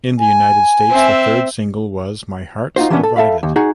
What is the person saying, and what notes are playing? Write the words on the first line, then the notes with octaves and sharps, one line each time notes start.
In the United States, the third single was "My Heart's Divided".
G#5
C4 E5
D#4 F4 F#4 C5
E3 F#3 A#3 B3 C#4 D4
A4
A4 E5 F5 B5
D#2
D#4 F#4 G#4 F#5